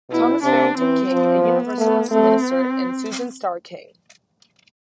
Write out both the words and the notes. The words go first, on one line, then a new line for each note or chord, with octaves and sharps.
Thomas Farrington King, a Universalist minister, and Susan Starr King.
B2 E4
C3 D4
E3 C4
F3
B3
A3
A3 C4